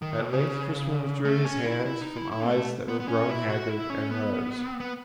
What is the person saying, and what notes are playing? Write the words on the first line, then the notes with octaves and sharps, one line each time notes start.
At length Crispin withdrew his hands from eyes that were grown haggard, and rose.
D#3
B2
C#3
A3
C#4
E4
E4
D#4
E4
E4
A3
B3
B3
C#4
E4
F#4
E4
C#4
B3
B3